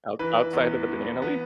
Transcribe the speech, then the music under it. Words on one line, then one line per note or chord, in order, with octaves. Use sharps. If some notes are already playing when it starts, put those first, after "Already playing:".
Out outside of the banana leaf?
E3 B4
E2
E3
B3